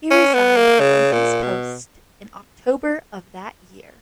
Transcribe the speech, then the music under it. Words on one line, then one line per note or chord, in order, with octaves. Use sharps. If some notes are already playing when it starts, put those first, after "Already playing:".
He resigned from these posts in October of that year.
C#4
B3
A#3
C#3
A#2
B2